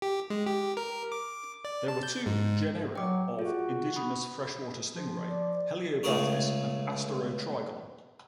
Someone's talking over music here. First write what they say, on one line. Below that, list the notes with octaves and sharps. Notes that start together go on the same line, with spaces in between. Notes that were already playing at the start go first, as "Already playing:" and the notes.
There were two genera of indigenous freshwater stingray, "Heliobatis" and "Asterotrygon".
G4
G#3
G4
A#4
D6
D5
A5
G6
G#2
F#3 G5 D6
F4 F#4 G#4
B5 D#6
F3
D5
C#2 C#3 A3 G#4 A#4 C#5